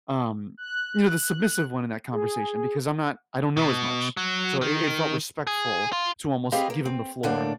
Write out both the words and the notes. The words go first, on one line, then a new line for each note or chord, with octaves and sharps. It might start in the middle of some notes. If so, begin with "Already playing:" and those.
um, you know, the submissive one in that conversation, because I'm not I don't know as much, so it it felt respectful to, almost, give him the floor.
F#6
G#4
B2
F#3
D#3
G#4
F4
C4 G4 G#4 B4 D#5 F5
A#3
C4
A2 D3 A3 A#3 D4